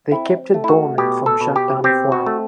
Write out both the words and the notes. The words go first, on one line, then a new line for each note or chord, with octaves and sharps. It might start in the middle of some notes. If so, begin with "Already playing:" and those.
They kept it dormant from shutdown of Wow!
C4 E4
A3
E4
F#4
B2 G4
A4
B2
G4
C4 G4
F#4
A3